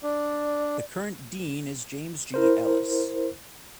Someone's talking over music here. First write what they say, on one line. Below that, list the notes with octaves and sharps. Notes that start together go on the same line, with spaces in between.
The current Dean is James G. Ellis.
D4 D5
E4 A#4 C5